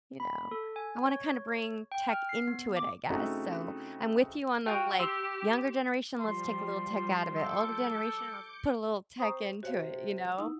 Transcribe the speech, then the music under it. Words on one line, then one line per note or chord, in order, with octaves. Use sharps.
you know, I wanna kinda bring tech into it, I guess, so I'm with you on the, like, "Younger generation, let's take a little tech out of it. Older generation, let's put a little tech into it," you know?
B5
A4
G#5
C#5
G5
F6
C7
B3
D6
C#3 A3 C4 D#4 E4 F#4
F4 F#4 A#4 G5
G4 C6 E6
F3 G3 C6
A4 D6 G6 C#7
C4 A#5 C#6 D#6
C3 F#4 C#5 F5
D#4 E4 F#5